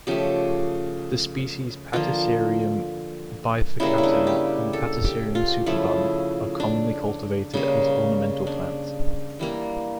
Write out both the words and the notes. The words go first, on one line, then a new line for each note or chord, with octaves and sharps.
The species "Platycerium bifurcatum" and "Platycerium superbum" are commonly cultivated as ornamental plants.
C#3 F3 A3 G4
D3 F3 A#3 F4
C#3 G3 A#3 E4
E4
D4
G4
A4
G4
F4
C#3 F3 A3 E4
D4
C#3 G3 A#3
D4
E3 G3 A#3